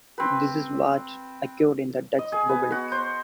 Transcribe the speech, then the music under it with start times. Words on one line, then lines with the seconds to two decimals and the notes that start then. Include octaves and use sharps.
This is what occurred in the Dutch Republic.
0.18 C4 B4
2.19 D#5
2.32 G#4
2.49 B3
2.72 F#4
2.92 C5